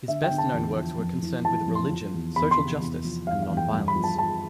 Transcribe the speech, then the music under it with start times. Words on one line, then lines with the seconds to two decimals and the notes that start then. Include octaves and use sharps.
His best-known works were concerned with religion, social justice and nonviolence.
0.08 D3 E5
0.23 G5
0.31 D3
0.38 A5
0.54 E2
0.77 F3
0.99 F2
1.22 E3
1.45 E3 A5
1.67 F2
1.75 C6
1.90 F3
2.14 E2
2.36 E2 B5
2.51 C6
2.59 C3
2.82 E2
3.05 F3
3.27 E2 F5
3.43 F5
3.50 E2
3.57 G5
3.73 G2
3.88 B5
3.96 F3
4.04 A5
4.18 F3 A5